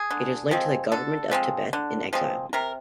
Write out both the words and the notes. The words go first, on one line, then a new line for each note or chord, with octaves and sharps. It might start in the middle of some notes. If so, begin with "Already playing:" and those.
It is linked to the Government of Tibet in Exile.
Already playing: G#4
D3
F3 G#3 C4
D3 A4
F3 G#3 C4
D3
F3 G#3 C4
C3 A#4